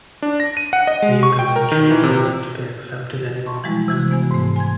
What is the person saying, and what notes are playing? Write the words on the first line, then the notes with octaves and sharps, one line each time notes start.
New conventuals were not to be accepted anymore.
D4
A#6
D#7
F#5
D#5
G#3
C#6
G5
A#4
D#3
E3
C3
A5 C6 C#6
E3 F3 G3 G#3 E4
C3 E3 F#4 G#6
B3 C5 G#5
G#2 A3
G#5 C6 G#6